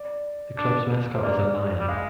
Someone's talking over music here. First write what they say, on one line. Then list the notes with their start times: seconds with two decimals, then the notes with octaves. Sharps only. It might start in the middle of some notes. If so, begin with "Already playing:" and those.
The club's mascot is a lion.
Already playing: D5
0.57 D4
1.15 C5
1.23 A#3 D5
1.80 G3
1.88 G#3 F5